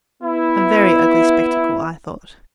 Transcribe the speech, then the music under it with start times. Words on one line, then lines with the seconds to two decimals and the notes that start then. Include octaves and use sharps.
A very ugly spectacle, I thought.
0.23 B3 E4